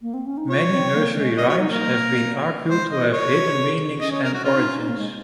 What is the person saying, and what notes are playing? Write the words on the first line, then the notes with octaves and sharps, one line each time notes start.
Many nursery rhymes have been argued to have hidden meanings and origins.
A#3
C4
C#4
D#4
F4 C#5
C4
A#3
G#3
A#3 D#5
F#4 C#5
D#4
A#3 A#4
G#3 C5
D#5
F#4
A#4 C#5
G#4
F#4
G#4
C#4 D#5
C#5
A#4
F#4
C#4 F4
D#4
C#4
D#4
A#3
G#3